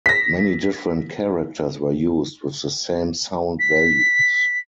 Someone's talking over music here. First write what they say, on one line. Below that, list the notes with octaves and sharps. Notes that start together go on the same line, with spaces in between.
Many different characters were used with the same sound values.
A#6 B6
B6